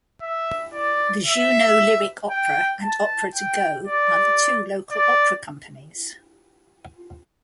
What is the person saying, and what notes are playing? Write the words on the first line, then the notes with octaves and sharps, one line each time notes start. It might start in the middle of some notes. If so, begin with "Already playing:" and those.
The Juneau Lyric Opera and Opera to Go are the two local opera companies.
E5
D5
E5
G5
A5
G5
D5
D5